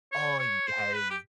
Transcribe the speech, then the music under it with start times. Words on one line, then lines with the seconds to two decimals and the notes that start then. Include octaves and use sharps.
Oh, yes.
0.12 C#5
0.39 C#5
0.67 C5
0.95 B4
1.10 G4